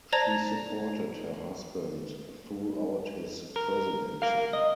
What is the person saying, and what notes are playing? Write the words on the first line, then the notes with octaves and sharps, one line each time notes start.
She supported her husband throughout his presidency.
C5 D5 A5 A#5 G#6 A#6
A#4
A#4 F5
D#5